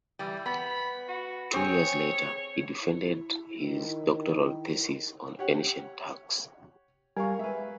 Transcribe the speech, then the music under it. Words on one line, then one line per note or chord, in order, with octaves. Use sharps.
Two years later, he defended his doctoral thesis on ancient Turks.
E3 G3
B3 B5
F#4
C4 G#4 C#5
E4
D#3
G4 C#5 F#5
G3 A#4 F5 G#5 C#6
G#3 B4 E5